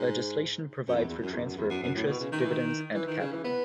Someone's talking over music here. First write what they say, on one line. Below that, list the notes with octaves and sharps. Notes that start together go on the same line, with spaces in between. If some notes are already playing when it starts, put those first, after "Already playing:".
Legislation provides for transfer of interest, dividends, and capital.
Already playing: G#2
F#2
E2
E2
F#2
E2
F#2
E2
F#2
F#2
A2
B2
C#3
D#3
E3
D#3
E3
D#3
C#3
E3
B3